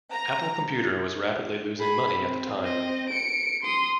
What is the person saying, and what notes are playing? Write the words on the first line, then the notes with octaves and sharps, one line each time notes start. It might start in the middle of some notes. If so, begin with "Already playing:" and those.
Apple Computer was rapidly losing money at the time.
A#5
G#4 B5
C4
C4 D#5
C#7 D7
C6 D#6